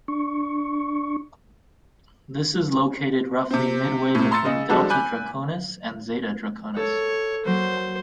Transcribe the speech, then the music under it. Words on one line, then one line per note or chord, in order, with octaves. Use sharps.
This is located roughly midway between Delta Draconis and Zeta Draconis.
D4 C#6
C3 C4
A2 C3
A#5 C6 E6 A6 C#7
C#3 D#5
F3 G3 G#3 D4 F#4 A4
G#5 B5 D6 F#6 G6
A4 C#5
F#3 A#3 C5